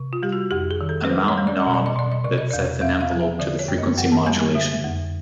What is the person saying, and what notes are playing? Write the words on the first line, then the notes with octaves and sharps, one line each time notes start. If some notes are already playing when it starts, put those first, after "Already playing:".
Amount knob that sets an envelope to the frequency modulation.
Already playing: C3
F4
G3 G4
F#4
F2 G4
G#4
D#3
A4
B4
G3 C5
C#5
G3
D5
D#5
B2
D5
D#5
B2 D5
D#5
C3 D5
D#5
E2 D5
E2 E5
F5
F3
E5
D3 D5
C#5
F#2
D#5
F#2 F#5
A5
G3 G#5
G#5
D3 E5
F2